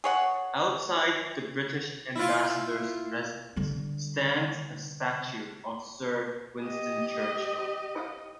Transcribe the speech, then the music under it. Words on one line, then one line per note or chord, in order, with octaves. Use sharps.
Outside the British ambassador's residence stands a statue of Sir Winston Churchill.
G#4 C#5 F#5
E4 F4
D3 G3
G4 D#5